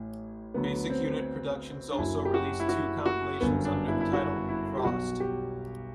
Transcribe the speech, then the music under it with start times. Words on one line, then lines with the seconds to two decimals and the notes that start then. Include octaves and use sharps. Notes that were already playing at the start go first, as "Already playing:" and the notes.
Basic Unit Productions also released two compilations under the title, "Frost".
Already playing: A1 A2
0.54 D2 D3 F#3 B3
0.90 C4
1.92 D4
1.98 F#1 F#2 F#3 E4
2.25 G4
2.34 F#4
2.60 E4
2.69 F#4
3.06 F#4
3.40 G1 F#2 D3 B3
3.65 D4
3.88 E4
4.01 E4
4.13 F#4
4.49 E4
4.77 G4
4.84 B1 B2 F#3 F#4
5.20 G4